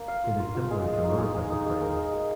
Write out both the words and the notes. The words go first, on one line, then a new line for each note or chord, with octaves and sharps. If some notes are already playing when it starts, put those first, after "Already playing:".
It is similar to motorcycle trials.
Already playing: A#3
F5
F4
F4
F4
G#3
G#3
D#4
G#3
G#3
D#4
G#3
A#4
G#3
G#3